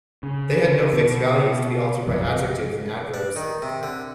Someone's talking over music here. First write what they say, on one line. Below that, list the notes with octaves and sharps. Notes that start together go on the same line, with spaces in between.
They had no fixed values, to be altered by adjectives and adverbs.
C#3
B2
A#1 F#2 C3 F3
D4
D#3
C3
D3